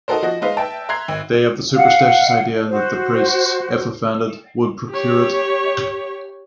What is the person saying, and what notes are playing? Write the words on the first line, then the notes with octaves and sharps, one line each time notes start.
They have the superstitious idea that the priests, if offended, would procure it.
D#4 F#4 A4 A#4 C5
F3 F#4 D#5 A#6
G#3 D#4 B4 C5 F5
B4 E5 G5 A5
E5 A#5 C6 F#6 G#6 C7
G#1
F5 F#5
F#4 C5
G4 C#5